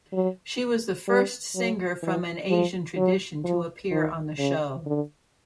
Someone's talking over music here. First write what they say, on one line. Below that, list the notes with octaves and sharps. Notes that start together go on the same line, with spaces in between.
She was the first singer from an Asian tradition to appear on the show.
F#3
G3
F#3
E3
F3
F#3
F3
D#3
C#3
D3